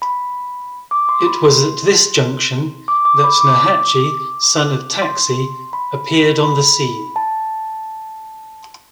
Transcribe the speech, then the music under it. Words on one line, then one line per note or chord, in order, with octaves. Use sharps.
It was at this junction that Nurhaci, son of Taksi, appeared on the scene.
B5
D6
C6
B5
C6
D6
D6
B5
D6
C6
B5
B5
A5